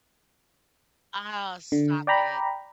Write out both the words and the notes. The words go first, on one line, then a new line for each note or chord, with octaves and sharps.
Oh, stop it.
D3
D5 G5 A#5 B5